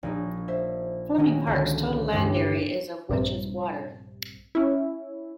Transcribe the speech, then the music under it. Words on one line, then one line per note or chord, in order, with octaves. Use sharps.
Fleming Park's total land area is of which is water.
A#1 A#3 D#4
C5 E5
D#3 A#3 C#4 D#4 F#4
C#2 D3
A1 G2 A#3 B4 D6
A#1 G2 C3
C#4 E4